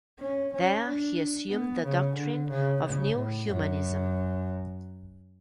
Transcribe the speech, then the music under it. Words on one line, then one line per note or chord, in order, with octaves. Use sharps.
There he assumed the doctrine of New Humanism.
C#4
C#4
D4
B3
C#3
D3
C#3
C#3
A2
F#2